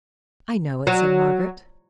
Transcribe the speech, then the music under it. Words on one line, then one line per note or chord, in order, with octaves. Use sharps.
'I know it,' said Margaret.
F#3